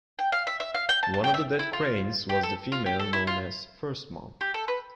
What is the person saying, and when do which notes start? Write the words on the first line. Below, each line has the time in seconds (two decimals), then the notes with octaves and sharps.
One of the dead cranes was the female known as "First Mom".
0.19 G5
0.32 F5
0.47 E5
0.60 E5
0.75 F5
0.89 G5
1.03 A5
1.14 A5
1.24 G5
1.34 E5
1.59 E4
1.73 F4
2.29 G4
2.43 A4
2.72 F4
2.86 G4
3.00 A4
3.13 E4
3.27 F4
4.41 G4
4.54 A4
4.68 B4